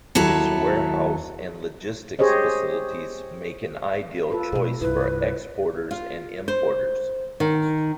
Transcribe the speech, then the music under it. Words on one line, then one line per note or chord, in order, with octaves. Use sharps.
Its warehouse and logistics facilities make an ideal choice for exporters and importers.
D#2 F#3 E4 A4
G4 G#4 C5 C#5 D#5
F4 A4 B4
B2 A3
C2 G2 E4 B4
F4
C5
D#3